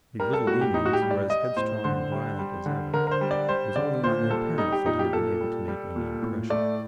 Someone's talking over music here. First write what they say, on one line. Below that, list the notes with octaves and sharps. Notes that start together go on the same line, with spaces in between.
The "little demons" were as headstrong and violent as ever; it was only on their parents that he had been able to make any impression.
G3 A#4
A4
A2 F#4
G4
A2 D#4
F#4
G4
G3
D5
G3 D#5
A2 C5
D3 C5
G3
G3
D3
D3 A#4
A#4
C5
G3
D5
G3 C5
D3 D5
A#2 C5
G3 A4
G3 D#4
G4
A#2 D#4
G4
A#2 A4
G3
G3
A#2
A2
A3 D5